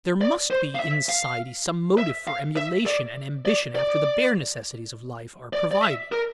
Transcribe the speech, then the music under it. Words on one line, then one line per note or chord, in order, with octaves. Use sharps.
There must be in society some motive for emulation and ambition after the bare necessities of life are provided.
D5
C5
F5
E5
F5
E5
F5
E5
D5
D5
D5
D5
D5
E5
A#4